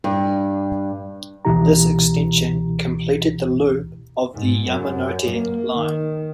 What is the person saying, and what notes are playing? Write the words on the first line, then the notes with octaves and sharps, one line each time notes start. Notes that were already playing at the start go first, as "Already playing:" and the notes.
This extension completed the loop of the Yamanote Line.
G2
C#2 B2 E3 E4 G4 A#5
G#2
F#2
A#3
D#3